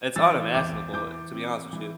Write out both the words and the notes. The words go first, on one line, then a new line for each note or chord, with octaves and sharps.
it's unimaginable, to be honest with you.
E3 E6 A6
E2 D6 G6
E3 D6 G6
C4
E3